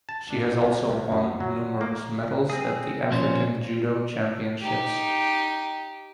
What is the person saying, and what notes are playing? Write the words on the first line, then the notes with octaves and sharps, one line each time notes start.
She has also won numerous medals at the African Judo Championships.
A5
D4
C2
C2
F#2
F#3
A#3
C4 G#4
A#2 F3 C#4 C5
D#4 G4